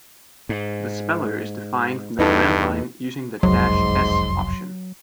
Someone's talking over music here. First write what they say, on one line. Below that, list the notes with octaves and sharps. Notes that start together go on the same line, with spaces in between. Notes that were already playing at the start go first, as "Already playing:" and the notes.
The speller is defined from the command line using the -s option.
G#2
E2 G2 B3 D#4 A4
F#1 C2 F2 G#2 F#3 C6